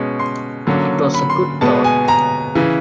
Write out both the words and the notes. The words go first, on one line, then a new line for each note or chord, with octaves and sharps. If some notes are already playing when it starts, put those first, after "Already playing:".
It was a good thought.
Already playing: B2 G#3 C#4
C6
D3 F#3 A#3 C#4
B5
C6
B2 G#3 B3 A5
G#5
A#5
C#3 E3